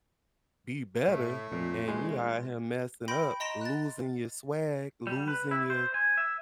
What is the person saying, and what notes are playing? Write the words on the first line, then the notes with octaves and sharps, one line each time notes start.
be better, and you out here messing up, losing your swag, losing your
A2 A3
F2 A#2
E1 G#3
G5 B5 C6 G6 A#6 D7
D#5 A#5 C6 A#6 D7 E7
F#6 A6
G3
B4
E4
C5
G#5
E5